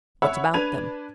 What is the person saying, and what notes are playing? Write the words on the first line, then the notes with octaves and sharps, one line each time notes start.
"What about them?"
C#5 E5 F#5 B5 E6
D4 B4 G#6 D#7 F7